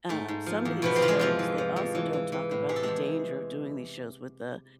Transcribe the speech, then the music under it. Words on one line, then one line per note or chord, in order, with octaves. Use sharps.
uh, some of these shows, they also don't talk about the danger of doing these shows with the
G#2 A3
G#2
F3
E2
B2 F3 B3
C3 C4
E2 F4
G#3 G#4
F2 F3 F4
E3
F3
F2
E3
E3
E3
A2
C3 G#4
A4
E2 G#3 G#4